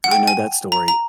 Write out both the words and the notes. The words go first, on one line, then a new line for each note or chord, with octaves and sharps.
I know that story.
F#5
G5
G#5
A#5
A#5